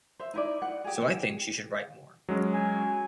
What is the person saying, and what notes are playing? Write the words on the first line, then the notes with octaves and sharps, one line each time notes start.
So I think she should write more.
C5 E5
D#4 E4 D5
F#5
G4 G#4
F#3 G#3 C#4
G#5